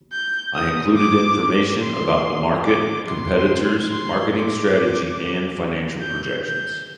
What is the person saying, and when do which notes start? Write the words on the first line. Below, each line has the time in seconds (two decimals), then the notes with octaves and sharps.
I included information about the market, competitors, marketing strategy, and financial projections.
0.12 G6
0.55 D#6
0.96 D6
1.80 C6
2.65 D6
3.07 C6
3.91 C6
4.33 D6
6.01 G6
6.43 G6